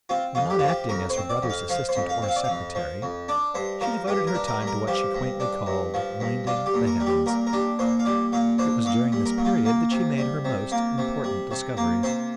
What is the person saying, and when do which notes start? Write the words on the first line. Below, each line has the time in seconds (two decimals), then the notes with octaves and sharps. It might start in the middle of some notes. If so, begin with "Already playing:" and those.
When not acting as her brother's assistant or secretary, she devoted her time to what she quaintly called "minding the heavens." It was during this period that she made her most important discoveries.
0.09 C4 F4
0.35 F2 F4
0.50 G4
0.59 F4
0.64 F3 G4
0.89 F2 A#4
1.10 C5
1.17 C4
1.29 D5
1.42 F2
1.50 F5
1.69 F3 F5
1.89 C5
1.96 F2
2.09 F5
2.22 C4
2.28 F5
2.36 D5
2.44 F2 F5
2.75 F3
3.02 F2
3.28 D4 D5
3.55 G2 C5
3.81 F3 A#4
4.07 G2 G4
4.27 A#4
4.35 D4
4.47 A#4
4.61 G2
4.67 A#4
4.87 F3 G4
5.15 G2
5.40 D4
5.66 G2
5.94 F3
6.20 G2
6.47 D4 F4
6.66 G4
6.74 A#2
6.87 A#4
7.00 G3
7.06 G4
7.26 A#2 A#4
7.47 A#4
7.53 D4 G4
7.79 A#2 C5
7.99 F5
8.05 G3 D5
8.32 A#2 F5
8.58 D4 C5
8.85 A#2 F5
9.12 G3
9.26 A#4
9.38 A#2
9.45 F4
9.65 A#3
9.91 C3
10.18 G3
10.45 C3
10.72 A#3
10.98 C3
11.24 G3
11.51 C3
11.77 A#3
12.03 C3 C5